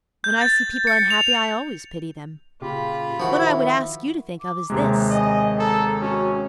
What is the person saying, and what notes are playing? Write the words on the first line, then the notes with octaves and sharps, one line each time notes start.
When I see people unhappy I always pity them. What I would ask you to think of is this.
G6
A6
C#7
F7
A#2 C#3 F4 G4 B5
D#3 F3 E4 F#4
D6
D#2 C3 G#3 A#5
D#5 G#5
A4 A#5
C#4 F#4